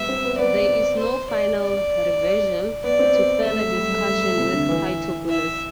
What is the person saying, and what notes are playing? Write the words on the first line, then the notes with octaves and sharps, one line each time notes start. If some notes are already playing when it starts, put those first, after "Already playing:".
There is no final reversion to further discussion with Critoboulos.
Already playing: G3 B3 E5
C4
B3
B3 D5
C5
D5
D5
B3 D5
C4
B3
A3 E5
F#3
G3
A3
G3
A3
C3
D3
E3
E5